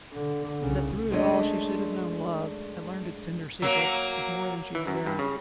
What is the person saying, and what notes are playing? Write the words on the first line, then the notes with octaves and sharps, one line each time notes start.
That through it all she should have known love, and learned its tender secrets, was more than she deserved.
D3
C2 C#3
F#2 G#3 A3 D4 D#5
F#3 A#3
E3
F#2
G2
C#3